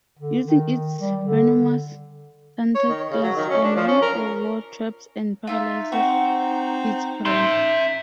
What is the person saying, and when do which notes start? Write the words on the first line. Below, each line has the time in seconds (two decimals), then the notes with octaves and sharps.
Using its venomous tentacles, a man o' war traps and paralyzes its prey.
0.19 D3
0.45 D#3
1.00 G3
1.27 D3
2.75 C#5
2.89 D#3
3.11 C#3
3.23 F#3
3.36 D#3
3.49 C#4
3.64 D4
3.76 F3
3.88 C#4
4.02 A#4
5.47 D#4 F4 E5
5.92 C4 F#4
7.25 E5 C6 G6